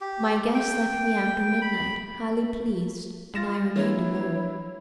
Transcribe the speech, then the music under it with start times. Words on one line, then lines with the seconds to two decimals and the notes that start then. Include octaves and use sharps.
My guests left me after midnight, highly pleased, and I remained alone.
0.01 G4
0.55 G5
1.62 B5
3.35 F4 A6 A#6 E7
3.76 E3 A#3 D4 E4 C#5